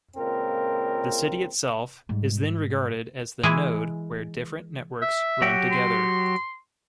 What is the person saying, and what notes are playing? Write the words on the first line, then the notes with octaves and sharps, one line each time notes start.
The city itself is then regarded as the node where different networks run together.
C#2 A#2 C4 A#4
G#2 G3
E3 G#3 E4 G#4
E5
F#3 F#4 G4
C6